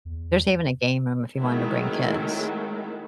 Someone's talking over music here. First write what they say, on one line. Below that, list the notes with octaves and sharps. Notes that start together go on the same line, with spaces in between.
there's even a game room if you wanted to bring kids.
E2
D#3 F#3 G#3 A3 C4 E4